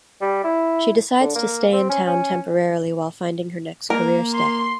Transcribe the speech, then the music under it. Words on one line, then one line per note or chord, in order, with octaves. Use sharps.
She decides to stay in town temporarily while finding her next career step.
G3
E4
D3
A#3
C4
C#4
C#4
A#3 A#4
C6